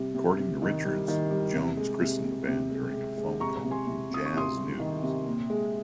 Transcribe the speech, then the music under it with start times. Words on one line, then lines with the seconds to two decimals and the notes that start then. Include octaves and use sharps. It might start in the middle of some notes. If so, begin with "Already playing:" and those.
According to Richards, Jones christened the band during a phone call to "Jazz News".
Already playing: C3 G3
0.15 C3
0.39 C3
0.62 D#3
0.85 G3
1.08 D#3
1.31 G3
1.54 C3
1.77 G#3
2.01 C3
2.24 C3
2.48 C3
2.71 G#3
2.94 G#3
3.18 G#3
3.40 C3 A#5 C#6
3.64 C3
3.71 G#5 C6
3.87 C3
4.10 C3 D#6
4.26 C#6
4.34 C3 C6 D#6
4.56 G3
4.80 D#3
5.03 C3
5.26 A#2
5.50 G#3